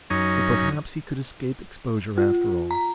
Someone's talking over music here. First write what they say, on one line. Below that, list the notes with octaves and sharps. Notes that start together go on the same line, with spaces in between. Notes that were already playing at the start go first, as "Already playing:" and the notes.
But perhaps he could escape exposure after all.
F#2 C#4 D#4
F4
A#5